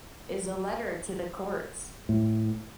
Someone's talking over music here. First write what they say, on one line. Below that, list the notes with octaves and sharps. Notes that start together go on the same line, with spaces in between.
is a letter to the courts.
A2